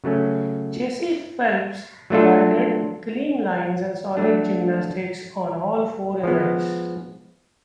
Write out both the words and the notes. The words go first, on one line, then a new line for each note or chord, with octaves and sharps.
Jaycie Phelps provided clean lines and solid gymnastics on all four events.
C#3 F#3 A3 C#4
F#3 A3 D4 F4 A4
F#3 A3 D4
F3 G#3 B3